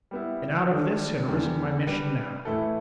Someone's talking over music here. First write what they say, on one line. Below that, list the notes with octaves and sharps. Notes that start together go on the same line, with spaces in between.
And out of this had arisen my mission now.
G3 B3 E4
G3 D4 A4
E2 D3 G3
G3 D4 B4
A2 E3 A3 E4 A4